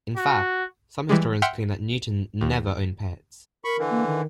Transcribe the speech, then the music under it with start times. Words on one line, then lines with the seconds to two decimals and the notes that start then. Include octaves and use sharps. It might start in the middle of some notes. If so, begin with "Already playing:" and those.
In fact, some historians claim that Newton never owned pets.
0.17 F#4
1.09 E3 G3 G#3
1.42 E5 F#5 G5 C6 F6 C#7
2.41 D#2
3.65 A#4 B5 C#6
3.78 D3 E3
3.90 A#3
4.07 D#3